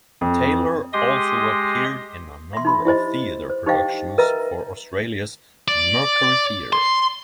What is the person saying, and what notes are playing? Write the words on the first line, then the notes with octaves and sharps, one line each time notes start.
Taylor also appeared in a number of theatre productions for Australia's Mercury Theatre.
F2
G#3 G4 D#5 C6 D#6
E5 C6
D#4 B5 C6
E4 G4 C5 D#5
C5
D#4 G4 C5 D#5 F5 G5
A#4 B4 D#5 E5 A#5
D5
C6